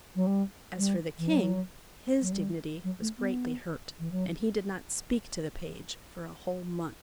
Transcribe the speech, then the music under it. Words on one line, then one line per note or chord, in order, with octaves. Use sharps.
As for the king, his dignity was greatly hurt, and he did not speak to the page for a whole month.
F#3
G3
G3
E3
F#3
F#3
G3
F#3
A3
B3
E3
F#3